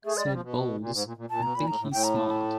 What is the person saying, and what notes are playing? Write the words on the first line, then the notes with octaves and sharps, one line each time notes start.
Said Bowles: I think he's smart.
A3 G#4
G#3 D5
G3
F3
B2
A#2
G#2
A#2
A#2
A#2 A5
B2 A#5
A#2 B5
A2 A#5
A2
A2 G5
A#5
A5
A5